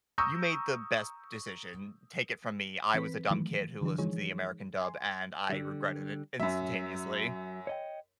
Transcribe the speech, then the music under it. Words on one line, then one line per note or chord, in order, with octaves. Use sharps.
You made the best decision. Take it from me, I was a dumb kid who listened to the American dub, and I regretted it instantaneously.
A#5 C#6 D#6 E6 G6 A#6
E3 C4 B4 B6
D#3 E3 F#3 A3
D3 E3 F#3 D4
E3 F3 G#3 D#4 G#4 C#5
G#5 C6
D3 G3
F#2 F#3 E5
C#5 D#5 G5